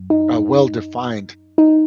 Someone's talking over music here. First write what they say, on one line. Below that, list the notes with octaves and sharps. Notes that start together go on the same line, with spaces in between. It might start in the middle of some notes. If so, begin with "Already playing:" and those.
uh, well-defined,
Already playing: F#2
D#4
D#4